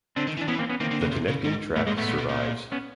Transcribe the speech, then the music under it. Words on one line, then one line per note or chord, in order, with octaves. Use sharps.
The connecting track survives.
D3 C4 D4
D#3
E3
D4
E3 B3 C#4
A#3 C4
B3 C#4
D#3 A#3 C4
D3
C#3
C3
C#3
G#2
A2 A3 B3
G#2 G#3 A#3
A2 A3 B3
A#2
B2
A#2
B3 C#4